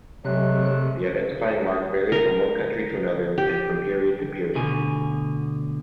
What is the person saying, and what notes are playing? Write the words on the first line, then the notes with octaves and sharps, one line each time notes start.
The identifying mark varied from one country to another, and from period to period.
C3 F#3 G#3 A3 F#6
A#4
G4
D2 B2 D3 G#5